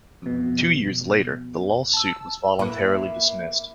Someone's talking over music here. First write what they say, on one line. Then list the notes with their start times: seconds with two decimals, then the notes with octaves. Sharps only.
Two years later the lawsuit was voluntarily dismissed.
0.22 F2 B2
1.93 A5 E6
2.59 A2 A#3 E4 B4